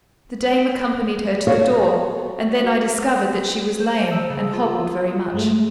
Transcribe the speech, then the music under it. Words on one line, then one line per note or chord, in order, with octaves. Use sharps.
The dame accompanied her to the door, and then I discovered that she was lame, and hobbled very much.
F#4 A4 C#5 D5 F5
C5
A5 E6
C#3
F4
D#6
G2 G#3 A3